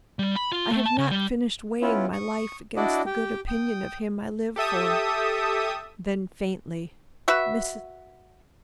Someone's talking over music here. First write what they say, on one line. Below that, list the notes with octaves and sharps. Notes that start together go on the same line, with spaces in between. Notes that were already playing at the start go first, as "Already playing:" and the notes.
I have not finished weighing my life against the good opinion of him I live for." Then faintly--"Mrs.
G3
B5
F4
A3
A5
C#3
G3
B3 C#4 E4 F4
C#6 D#6
D4 E4 F#4 D5 D#5
G4 G5
G5 D#6
G4 A4 E5 D#6
F#4 B4 E5